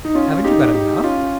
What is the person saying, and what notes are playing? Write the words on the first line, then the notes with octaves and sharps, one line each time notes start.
"Haven't you got enough?"
D#4
C#4 F4
D#4 G4
D#4 G4
C#4 F4